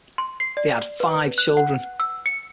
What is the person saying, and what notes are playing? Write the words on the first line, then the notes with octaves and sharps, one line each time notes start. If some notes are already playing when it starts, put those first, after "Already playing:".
They had five children.
C6
C7
D5
B4
F#6
F#5
E6
C#7